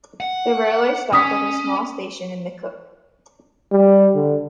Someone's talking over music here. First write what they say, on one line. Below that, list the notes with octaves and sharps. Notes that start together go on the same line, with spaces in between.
The railway stopped at a small station in McCook.
F#5
C#4 D#6 B6
G3
D3